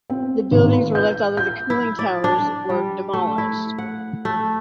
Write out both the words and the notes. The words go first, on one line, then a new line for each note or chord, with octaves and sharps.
The buildings were left although the cooling towers were demolished.
C4
G#1
B4
G6
G6
E4
D5
D4
G3
A3
E4
F#5
A3